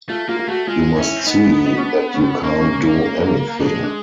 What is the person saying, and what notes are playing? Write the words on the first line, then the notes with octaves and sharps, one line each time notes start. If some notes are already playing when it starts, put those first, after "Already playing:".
You must see that you can't do anything.
A3 F4
A#3 F4
F4
A3 F#4
G#3 F4
C#4 E4
C4
B3 D#4
D#4
D#4
C#4
D4
C#4
A#3 C#4
C#4
C#4
G#3 D4
D4